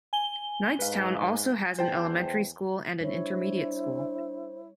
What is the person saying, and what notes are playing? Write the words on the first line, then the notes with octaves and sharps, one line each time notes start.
Knightstown also has an elementary school and an intermediate school.
G#5 G7
G#2 B4 F5
E2 C5 G5 A5
G3 D4 E4 C5 C#5